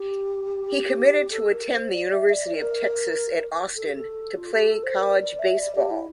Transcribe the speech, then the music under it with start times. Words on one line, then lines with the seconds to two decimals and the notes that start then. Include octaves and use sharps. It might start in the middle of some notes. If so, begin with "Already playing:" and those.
He committed to attend the University of Texas at Austin to play college baseball.
Already playing: G4
1.31 A4
1.51 A#4
1.72 C5
1.93 D5
2.13 E5
2.29 E5
2.33 D5
2.54 A#4
3.76 A4
3.85 G4
3.95 A4
4.37 F4
4.52 G4
4.68 A4
4.83 C5
4.99 A#4
5.19 D5
5.39 E5
5.59 D5
5.75 G4
5.91 E4